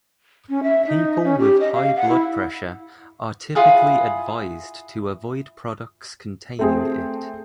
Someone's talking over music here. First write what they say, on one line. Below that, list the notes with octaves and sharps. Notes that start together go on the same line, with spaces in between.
People with high blood pressure are typically advised to avoid products containing it.
C#4
E5
D#4
C#4
G4
D#5
F5
F#5
E4
E4 F4 G#4 F#5
A3 C4 G#4